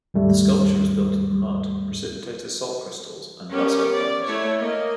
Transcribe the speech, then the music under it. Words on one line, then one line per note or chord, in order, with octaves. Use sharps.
The sculpture is built of mud, precipitated salt crystals, and basalt rocks.
D#2 G#2 G3 A3
B3 C#4 G4 A#4
D5
A3 E4 C#5
A#3 D#5